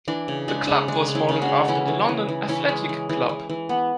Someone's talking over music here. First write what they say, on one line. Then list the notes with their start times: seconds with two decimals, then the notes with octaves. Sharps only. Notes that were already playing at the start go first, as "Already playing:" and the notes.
The club was modeled after the London Athletic Club.
0.08 E3 D4
0.28 C#3
0.48 G#3 D4
0.68 C#3
0.88 G#3 D4
1.08 C#3
1.15 C#4 E4
1.29 C#3
1.42 D4 F#4
1.49 G#3
1.68 E3 C#4 E4
1.88 E3
2.09 E3
2.29 E3
2.49 E3 C#4 E4
2.69 G#3
2.89 E3
3.09 E3
3.29 E3
3.49 E3
3.69 B3